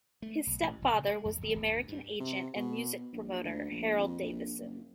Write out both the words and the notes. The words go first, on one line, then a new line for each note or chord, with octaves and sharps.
His stepfather was the American agent and music promoter Harold Davison.
A3
B1
A1
A#1
C#3
G#3
F2
D#1
D#1
D2
G2
C3
B2
A#1
D2
A#1
F2
A#1
F#1